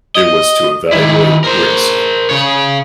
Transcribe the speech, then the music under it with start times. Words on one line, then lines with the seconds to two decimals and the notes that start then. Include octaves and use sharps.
It was to evaluate risk.
0.15 D#5
0.92 D#3 E4
1.44 A#4 C5
2.29 C#3 C#5